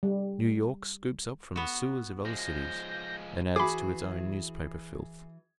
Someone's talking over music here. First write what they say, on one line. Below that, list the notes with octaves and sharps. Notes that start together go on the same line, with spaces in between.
New York scoops up from the sewers of other cities, and adds to its own newspaper filth.
G3
B3 F#4
F3 G#3 G6 A#6
E3 E4 F#4 G#4 B5 D6